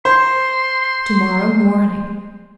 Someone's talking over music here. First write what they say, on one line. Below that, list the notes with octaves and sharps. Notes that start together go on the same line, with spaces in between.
"To-morrow morning."
C5 C6